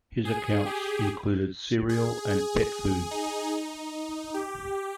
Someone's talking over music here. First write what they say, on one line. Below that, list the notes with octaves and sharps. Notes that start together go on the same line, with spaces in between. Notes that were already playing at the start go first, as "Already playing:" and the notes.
His accounts included cereal and pet food.
G#4
G4
G#4
G#4
D#4
D#4
G4